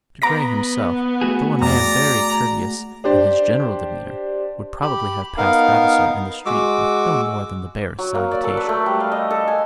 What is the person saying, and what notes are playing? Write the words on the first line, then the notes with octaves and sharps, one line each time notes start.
Mr. Grey himself, though a man very courteous in his general demeanour, would probably have passed Vavasor in the street with no more than the barest salutation.
B3 A#5 D6 A#6
A3 F#4 G#4
F2 D5 A#5
D4 G4 C5 D5
G4 B5
B3 D#4 A#4 F5
G#3 F#4 D6 E6
F#3
A#3
D5
A4
B4
A3
G3
F5
D#5
A4
G#5